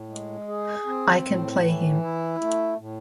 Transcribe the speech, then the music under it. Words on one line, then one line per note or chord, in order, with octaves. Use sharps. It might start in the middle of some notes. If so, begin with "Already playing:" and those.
I can play him.
Already playing: A2
G#3
G#4
C4
A2
E3
E4
A3
A2